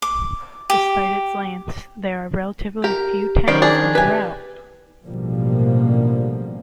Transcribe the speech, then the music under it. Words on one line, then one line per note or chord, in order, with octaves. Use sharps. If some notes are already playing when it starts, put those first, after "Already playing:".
Despite its length, there are relatively few towns on the route.
D6
G4
G4 A#4
D#3 B3 C#4 C5 D5
D4 G#4
G4 B4 E5 G#5
A1 B2 D3 F3 G3 A#3